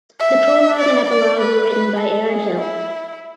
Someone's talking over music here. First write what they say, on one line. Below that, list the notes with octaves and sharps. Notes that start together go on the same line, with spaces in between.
The prologue and epilogue were written by Aaron Hill.
E5
D5
D5
B4
B4
A4
G#4
E4